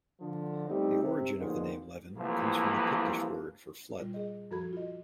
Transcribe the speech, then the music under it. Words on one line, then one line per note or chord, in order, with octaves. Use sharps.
The origin of the name "Leven" comes from the Pictish word for "flood".
D3 F3
B1 G3 A3 C4 D#4 G4
C3
B2 D3 D#3 F3 G#3 A#3
C2 E3 F3 A3 A#3
A#2 G3 F4
G#4 D#5
F#2 F3 F#4 A4 B5 G#6
F4 D#5